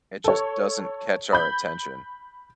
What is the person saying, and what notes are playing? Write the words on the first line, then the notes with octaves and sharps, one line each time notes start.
it just doesn't catch our attention,
A4 C#5
B5 G6